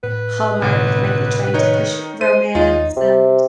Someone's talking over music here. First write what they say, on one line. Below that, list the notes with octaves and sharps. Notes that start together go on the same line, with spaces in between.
Hallmark might be trying to push romance and
A2 B4
G1 A2 C3 F#5
D#3 D#4 C#5
C5 D#7
D#2 D#4 F4
C3